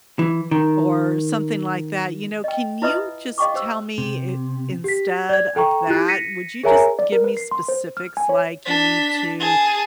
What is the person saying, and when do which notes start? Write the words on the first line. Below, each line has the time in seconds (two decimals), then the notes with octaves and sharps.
or something like that, you know, can you just tell me, i instead of that, would you just give me specifics like you need to,
0.19 E3
0.51 D#3
2.44 D#5 G5
2.82 E4 F4 B4 D#5 E5 D#6
3.38 D#5 F5 G5 C#6 D6
3.54 G4 C5 E6
3.98 C3
4.84 G4 B6
5.29 D5 G#6
5.56 A4 G5 A#5 C#6
5.87 E4 F4 G4 F#6
6.08 A#6 B6 C#7 D#7
6.64 G#4 A#4 C#5 E5 G#5 A#5
6.99 D5
7.12 A#4
7.24 B4
7.37 C7
7.51 C6
7.68 C5
7.97 F6
8.17 G#5
8.29 C#5
8.66 D4 B6
9.39 G#4 A5